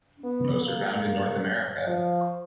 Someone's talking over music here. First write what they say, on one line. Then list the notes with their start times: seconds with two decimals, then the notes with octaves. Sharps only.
Most are found in North America.
0.24 B3
0.65 A#3
1.87 F3